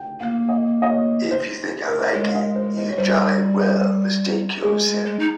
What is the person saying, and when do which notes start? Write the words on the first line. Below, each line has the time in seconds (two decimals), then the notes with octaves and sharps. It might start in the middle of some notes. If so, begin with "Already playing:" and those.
If you think I like it, you jolly well mistake yourself.
Already playing: G5
0.20 A#3 F5
0.49 D#5
0.82 D#5
0.90 C#5
1.31 C5
1.87 A#4
2.01 C5
2.14 G#3 C#5
2.27 F5
2.35 D#5
2.56 C5
2.77 C5
2.90 C#5
2.97 G3 C5
4.63 G#3 G#4
4.85 G#3
5.05 G#3
5.19 D#4